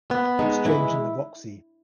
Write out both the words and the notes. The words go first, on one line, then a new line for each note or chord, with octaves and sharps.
Exchange, and The Roxy.
B3
G#3 D#4
E3 E4